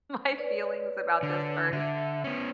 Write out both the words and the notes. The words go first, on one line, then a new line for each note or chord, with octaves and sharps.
my feelings about this first,"
B4 C#5 D5
D3
D3 E5
B3 C#4